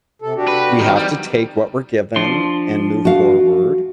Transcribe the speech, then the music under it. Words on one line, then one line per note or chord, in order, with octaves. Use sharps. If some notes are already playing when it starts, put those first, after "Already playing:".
we have to take what we're given and move forward,
C3 A4
D4 F#4 G4
B4
D#3 C4
E3 G3
F3 D4 C6
F#4 F5